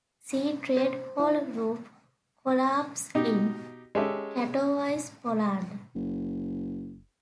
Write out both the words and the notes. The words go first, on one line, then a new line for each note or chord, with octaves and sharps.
See Trade hall roof collapse in Katowice, Poland.
C5
E4
B2 D#4 G4
G#3 C#4 G4 A4 E5
F#1